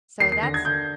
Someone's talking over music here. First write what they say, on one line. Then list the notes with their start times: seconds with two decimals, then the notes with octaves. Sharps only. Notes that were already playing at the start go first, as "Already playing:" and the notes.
so that's
0.20 D#2 C7
0.32 C7
0.43 D3 A#6
0.54 G#6
0.65 D3 G6